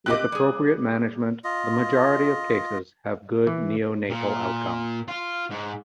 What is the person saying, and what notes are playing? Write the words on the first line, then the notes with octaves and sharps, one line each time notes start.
With appropriate management, the majority of cases have good neonatal outcomes.
C4 G4 D#5 D6 F#6
G3 G#4
F4 D#5
E3
A#2
F4
G#2